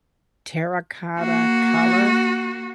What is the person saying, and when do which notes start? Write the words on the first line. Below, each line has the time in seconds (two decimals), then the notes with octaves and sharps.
terracotta color,
1.18 A#3 F#4